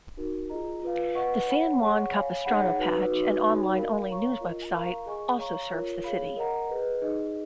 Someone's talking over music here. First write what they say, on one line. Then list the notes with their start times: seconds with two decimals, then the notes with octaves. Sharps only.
"The San Juan Capistrano Patch", an online only news website, also serves the city.
0.17 D#4 F#4 A#4
0.50 F4 G#4 D#5 A#5
0.82 F4 B4 F5
1.15 B4 D#5 F#5 C#6
1.48 C#5 F#5 B5
1.80 G#4 C#5 F#5 C#6
2.13 C#5 F5 G#5 B5
2.45 D#4 G#4 C#5 F#5 B5
2.78 D#4 F#4 B4
3.10 D#4 F#4 B4
3.43 D#4 F#4 C#5 G#5 B5
3.75 A#4 F5 B5
4.08 C#5 F5 A#5 C#6
4.41 F4 A#4 D#5
4.73 A#4 F5 A#5 C#6
5.06 G#4 D#5 G#5 C#6
5.39 C#5 F5 A#5 C#6
5.71 F4 A#4 C#5
6.04 G#4 C#5 F5 B5
6.36 A#4 D#5 F#5 A#5
6.69 G#4 B4 D#5
7.02 D#4 G#4 D#5